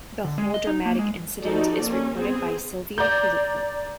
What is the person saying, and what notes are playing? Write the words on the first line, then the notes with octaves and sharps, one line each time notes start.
The whole dramatic incident is recorded by Silvio Pellico.
D3
G#3
D#5
D#4
A#3
G#3
F3 D#4 F#4 G4 A4 D5
A#3 C#4
B3 C4 G#4
D5 A#5 G6